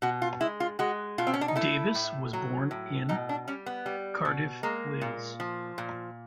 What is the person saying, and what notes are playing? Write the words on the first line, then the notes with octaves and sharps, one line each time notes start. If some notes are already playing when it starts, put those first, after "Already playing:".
Davis was born in Cardiff, Wales.
B2 F#4
F4
G#3 E4
F4
G#3 F#4
B2 F4
C4
C#4
D4
D#4
A3 E4
A2
F#3
A2
B2 D#4
D4
G3 C#4
B3
G3
B2
G#3 A#3
A#2
F3
A#2